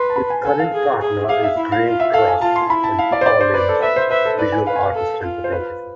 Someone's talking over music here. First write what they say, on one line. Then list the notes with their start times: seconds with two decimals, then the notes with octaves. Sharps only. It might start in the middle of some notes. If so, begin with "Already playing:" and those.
His current partner is Grey Cross, a New Orleans visual artist and photographer.
Already playing: B4 C6
0.10 A5
0.16 B5
0.30 G#5
0.45 A4 G#5
0.59 F5
0.73 G#4
1.02 G#4
1.24 E5
1.29 G#4 F5
1.43 E5
1.57 E4
1.72 F5
1.85 F4
2.00 E5
2.13 A4 F5
2.28 G#5
2.41 F4 A5
2.56 C6
2.70 E4 B5
2.84 A5
2.99 F5
3.12 D5
3.21 C5
3.26 D5
3.41 C5
3.54 B4 D5
3.69 A4
3.82 B4 E5
3.96 C5
4.11 B4 E5
4.25 A4
4.39 B4 D5
4.52 G#5
4.66 B4 F5
4.76 G#5
4.81 F5
4.95 A4
5.23 F4
5.44 C5
5.52 B4